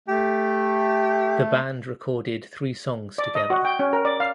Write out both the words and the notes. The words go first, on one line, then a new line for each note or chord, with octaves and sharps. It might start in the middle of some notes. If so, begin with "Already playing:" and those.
The band recorded three songs together.
A3 G4
D5
D#5
F#4
G5
C#4
A#4
D5
F5